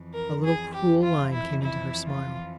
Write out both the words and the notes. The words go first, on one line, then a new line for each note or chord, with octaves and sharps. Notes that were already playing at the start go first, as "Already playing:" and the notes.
A little cruel line came into her smile.
Already playing: F2 E3
A#4
G#4
G4
F4
E4
E4
F4